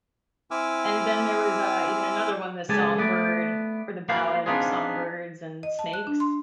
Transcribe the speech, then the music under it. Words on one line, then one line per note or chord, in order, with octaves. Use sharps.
And then there was, uh, even another one, The Songbird or "The Ballad of Songbirds and Snakes"?
C4 E4 G#5 D6 E6 F6
C#2 G#3 G4 A4 G#5 A5
A3 B3 D5
A#3 F#4 B4 C5 D5 F5
B3 C4 D4 D#4 F4 G#4
D#5
A5
F#6
D4
C6